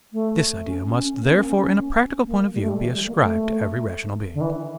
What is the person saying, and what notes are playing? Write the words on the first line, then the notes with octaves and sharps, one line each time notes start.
This idea must therefore in a practical point of view be ascribed to every rational being.
A3
C#4
C#4
A#3
C#4
A#3
C#4
A#3
G3
A3
G3
E3
G3
A#3
A3
D3
E3